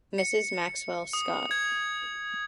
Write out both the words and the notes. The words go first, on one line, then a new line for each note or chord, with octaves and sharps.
Mrs Maxwell Scott.
C#7
D#6
G#6